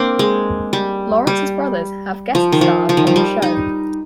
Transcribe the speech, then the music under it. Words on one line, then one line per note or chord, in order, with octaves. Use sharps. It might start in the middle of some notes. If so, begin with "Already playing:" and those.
Lawrence's brothers have guest starred on the show.
Already playing: A#3 C4 D4
G#3
G3
G3
F3
D#3
F3
F3
D#3
F3
G3
D#4